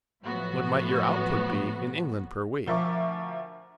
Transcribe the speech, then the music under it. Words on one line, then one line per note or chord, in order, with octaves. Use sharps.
What might your output be in England per week?
A2 F3 F#3 A3 B3 F#4
D2 F3 A#4 E5 C#6 D6